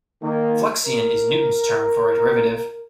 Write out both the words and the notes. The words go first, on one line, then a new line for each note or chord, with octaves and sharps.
Fluxion is Newton's term for a derivative.
D#3 A#3
A#4